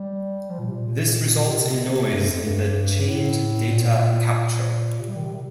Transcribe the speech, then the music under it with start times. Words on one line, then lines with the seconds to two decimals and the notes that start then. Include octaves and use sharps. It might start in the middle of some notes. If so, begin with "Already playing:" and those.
This results in noise in the Change Data Capture.
Already playing: G3
0.50 F3
0.59 A#2
0.67 C3
0.75 A#2
1.48 C3
2.12 G2
2.28 F2
2.44 G2
3.07 A2
3.71 A#2
4.36 A#2
5.00 C3
5.08 G3
5.16 D#3
5.24 C3